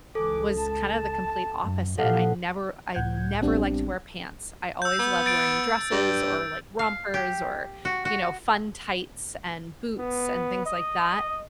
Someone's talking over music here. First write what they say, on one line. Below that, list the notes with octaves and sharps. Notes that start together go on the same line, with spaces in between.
was kind of the complete opposite. I never I never liked to wear pants. I always loved wearing dresses or, like, rompers or, you know, fun tights and boots and things like that.
C#2 E3 A4 G#5 D6
A5
F#2
A#2 E3 F3 G4 A4 F5 F#5
C#2 A2 F#5 G6 G#6
A1 G3 B3 C4 D4 G4
E6 G6
B3
A6 D7
G2
F5
G4
F#4
F#4
B3
D#5